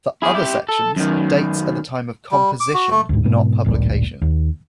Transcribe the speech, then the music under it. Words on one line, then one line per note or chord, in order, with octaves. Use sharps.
For other sections, dates are the time of composition, not publication.
E4 G#4
E4 G4
A4
F#2 D#3
G3
D6
F#4
A3
D2 G#2
G#2 B2
A1 D2 G2 A#2
D#2